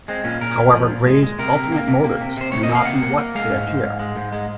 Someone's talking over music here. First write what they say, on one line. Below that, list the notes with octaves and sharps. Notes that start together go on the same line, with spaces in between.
However, Grey's ultimate motives may not be what they appear.
G#3 C4
A#2 C#4
A#2 A#4
A#2
F3
A#2
G#3
G#3
C3 A#4
C3
A#3
C3
A#3
C3
C3 C5
C3 C#5
D#5
A#3
F5
C3 F#5
A#3
A#3
G#3 F5
G#2
G#2
G#2
G#3
G#2
G#3